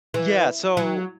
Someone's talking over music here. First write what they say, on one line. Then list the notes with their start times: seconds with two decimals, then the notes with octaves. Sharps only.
Yeah, so
0.14 E3
0.77 F#3